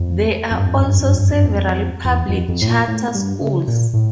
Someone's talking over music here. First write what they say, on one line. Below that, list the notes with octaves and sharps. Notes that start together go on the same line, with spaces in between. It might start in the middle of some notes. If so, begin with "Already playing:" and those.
There are also several public charter schools.
Already playing: F2
F2
G2
F2
G2
F2
G2
F2
G2
F2
G2
F2
G2
F2
F2
E2
F2
F2
A2
A#2
A2
G2
C#3
A#2
A2